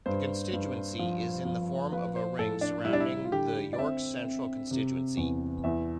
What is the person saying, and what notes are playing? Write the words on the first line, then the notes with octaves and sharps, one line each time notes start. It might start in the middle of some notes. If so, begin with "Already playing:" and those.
The constituency is in the form of a ring surrounding the York Central constituency.
G2 C5
G2
F3
F3
F3 B4
C5
A2 A4
D4
G3 E4
D4
E4
F4
D3 G4
D5
C4 E5
C4
C3
E2
E2 E5